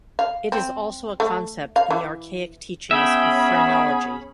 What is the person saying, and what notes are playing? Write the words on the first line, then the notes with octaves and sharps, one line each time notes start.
It is also a concept in the archaic teachings of phrenology.
F5
C4
A3
F5
E3
B3 C#4 G#4 E5 G5 B5